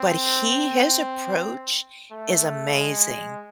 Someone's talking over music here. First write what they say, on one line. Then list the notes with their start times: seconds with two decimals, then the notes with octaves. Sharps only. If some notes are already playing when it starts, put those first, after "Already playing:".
But he his approach, is amazing.
Already playing: C4
2.12 A3
2.74 G#3